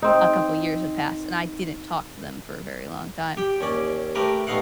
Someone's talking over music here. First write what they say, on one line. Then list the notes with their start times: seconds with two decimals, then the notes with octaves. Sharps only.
a couple years have passed and I didn't talk to them for a very long time.
0.02 C4 D#4
3.37 G4 G5
3.61 D#2 C#4 D5
4.15 A3 G4 A#4 B4
4.47 G2 A3 B3 D#4 F5 F#5